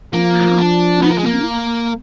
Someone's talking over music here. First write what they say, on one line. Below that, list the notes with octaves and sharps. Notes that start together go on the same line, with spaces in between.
oh, wow. Mhm.
F3 A#3
D4
B3
A#3
G#3
A#3